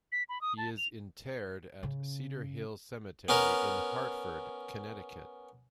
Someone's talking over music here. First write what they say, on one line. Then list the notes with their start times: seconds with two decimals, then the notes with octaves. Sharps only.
He is interred at Cedar Hill Cemetery in Hartford, Connecticut.
0.12 B6
0.29 B5
0.41 D#6
0.58 A5
0.77 F7
1.83 C#3
3.28 B3 C#4 A#4